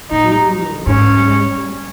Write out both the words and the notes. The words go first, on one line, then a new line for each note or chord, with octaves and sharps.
Ooh, you know,
A#2 D#4
G#2 C#4